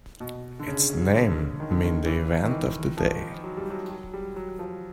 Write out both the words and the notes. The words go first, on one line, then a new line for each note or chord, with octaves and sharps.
Its name means "The event of the day".
B2
D3
C#3
D3
D#3
D3
D#3
E3
D#3
E3
F3
F#3
G3
F#3
F#3
G3
F#3
F3